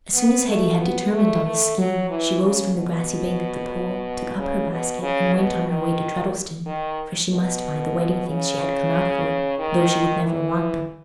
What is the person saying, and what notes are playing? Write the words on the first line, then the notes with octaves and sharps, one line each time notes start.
As soon as Hetty had determined on this scheme, she rose from the grassy bank of the pool, took up her basket, and went on her way to Treddleston, for she must buy the wedding things she had come out for, though she would never want them.
B3
A3
B3
A3
A3
F#3
E3
C#3
B2
C#3
B2
C#3
B2
D#3
D#3
B2
C#3
D#3
E3